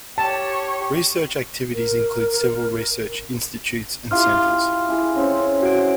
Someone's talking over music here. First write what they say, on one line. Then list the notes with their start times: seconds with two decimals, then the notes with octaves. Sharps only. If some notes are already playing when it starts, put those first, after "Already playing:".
Research activities include several research institutes and centres.
0.18 G4 C#5 A5
1.74 A#4
4.11 E4 F4 G4 F5 C6 F6
4.89 E4 G#4
5.15 C#3 C4 C5
5.62 F#4 D7